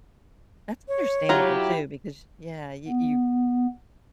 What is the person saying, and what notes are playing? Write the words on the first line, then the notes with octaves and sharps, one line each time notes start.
That's understandable, too, because, yeah, you you
C#5
F#3 E4 F4 G4 A#5
B3